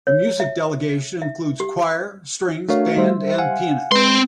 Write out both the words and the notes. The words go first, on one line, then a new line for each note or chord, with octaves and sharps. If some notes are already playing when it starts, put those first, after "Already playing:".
The music delegation includes choir, strings, band and pianists.
C#5
E5
E5
G4
A3 D4 F#4 A#4 C#5 F5
G3 C5 E5
F5 F#5 G#5
G#3 C4 B4 C6